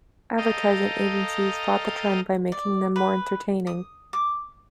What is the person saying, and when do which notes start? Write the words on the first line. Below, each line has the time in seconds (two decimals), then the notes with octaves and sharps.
Advertising agencies fought the trend by making them more entertaining.
0.37 A4 D#5 F5 G5 A#5 D#6
2.52 D5
2.96 B4
3.67 D#6
4.13 D6